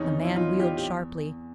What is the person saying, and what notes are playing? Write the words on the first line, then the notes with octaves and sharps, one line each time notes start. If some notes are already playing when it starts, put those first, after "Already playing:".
The man wheeled sharply.
Already playing: E2 C3 E3 C#4 D#4
E4
D#4 F4
F4 G4
G4